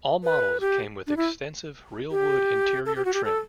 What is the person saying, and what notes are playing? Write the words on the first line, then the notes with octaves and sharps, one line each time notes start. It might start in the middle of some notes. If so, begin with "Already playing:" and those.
All models came with extensive, real wood interior trim.
B4
G4
D4
E4
G4
A4
G4
F#4
G4
A4